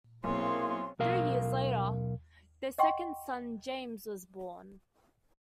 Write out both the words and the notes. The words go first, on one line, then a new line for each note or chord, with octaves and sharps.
Three years later, their second son, James was born.
B1 A#3 C4 E4 G#4 C#5 C6
B1 A#4 F5
D#5 F#5 G5 C6 C#6